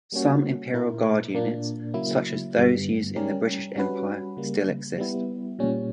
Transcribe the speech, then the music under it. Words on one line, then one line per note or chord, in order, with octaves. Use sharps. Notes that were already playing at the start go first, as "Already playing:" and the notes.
Some imperial guard units, such as those used in the British Empire, still exist.
G3 A#3 C#4 F#4
A#2 A#3 E4 A#4
A#2 A#3 D4
C#3 F#3 A#3 E4
G2 D3 G3 B3
G3 C#4 G4 A#4
G3 C#4 F#4 B4
C#3 G3 A#3
G3 B3 E4
A#2 G3 C#4